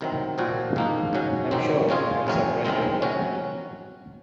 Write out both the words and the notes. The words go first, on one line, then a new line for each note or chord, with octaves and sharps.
I'm sure I'm surprised at that.
C2 C3 D#3 F#3 C4
C2 A#2 F3 C4 F#4
G#2 F3 A#3 D#4
G#2 F#3 C#4 F#4
D#2 D#3 F#3 C4
C#3 G#3 C#4 F4 G#4
C2 C3 F#3 C#4
C2 C3 D#3 G#3 C4
C3 F#3 C#4 F#4